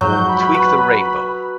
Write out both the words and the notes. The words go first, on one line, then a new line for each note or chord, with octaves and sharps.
Tweak the Rainbow.
F2 G#2 F#3 G6
B5
B4